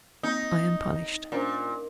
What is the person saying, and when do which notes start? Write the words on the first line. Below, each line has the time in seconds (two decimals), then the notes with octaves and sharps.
I am punished.
0.23 A#3 C4 D#4
1.32 A#2 C#4 D4 C5